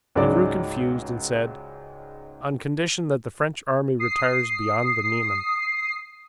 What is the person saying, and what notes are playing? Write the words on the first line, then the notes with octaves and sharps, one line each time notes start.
He grew confused and said: "On condition that the French army retires beyond the Niemen."
C#2 G#2 F#3 G#3 D5 D6
D#6 C7